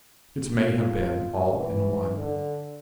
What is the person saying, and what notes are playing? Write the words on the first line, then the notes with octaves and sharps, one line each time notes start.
It may have been all in one.
F4
E3
D3